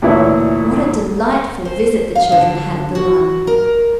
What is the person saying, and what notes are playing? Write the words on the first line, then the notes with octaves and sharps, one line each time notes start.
What a delightful visit the children had at the run!
D2 A#2 E3 E4 C#5
C5
F5
D3
F#4
A#4